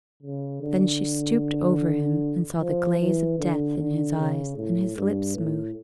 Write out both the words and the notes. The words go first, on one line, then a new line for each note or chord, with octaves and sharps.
Then she stooped over him, and saw the glaze of death in his eyes, and his lips moved.
C#3
D3
F3
E3
D3
D3
C#3
A2
G2
A2